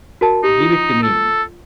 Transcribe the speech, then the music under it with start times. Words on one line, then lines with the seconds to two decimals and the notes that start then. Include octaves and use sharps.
Give it to me!
0.21 F#4 A#4 A5
0.44 D#4 G4
0.60 F4
1.03 A4